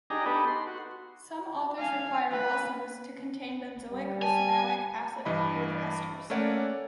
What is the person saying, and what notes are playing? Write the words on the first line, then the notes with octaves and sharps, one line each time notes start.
Some authors require balsams to contain benzoic or cinnamic acid or their esters.
D4 D#4 G4 G#4 A#5
B3 D#4 G4 A4 B4
C6
F#4
F5 G#5
B4
G3
G#5 A5
G2 E3 D#5 B5
A3 A#3 C#4 C#5 D5 F#5